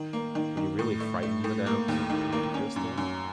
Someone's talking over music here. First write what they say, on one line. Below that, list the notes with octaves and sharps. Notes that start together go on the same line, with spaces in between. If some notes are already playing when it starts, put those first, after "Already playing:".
"Are you really frightened, madame?" said Monte Cristo.
Already playing: D#3
A#3
D#3
D#3
A2
A3
A3
A2
A#3
D#2
D#3
A#3
C#4
F#2
F#2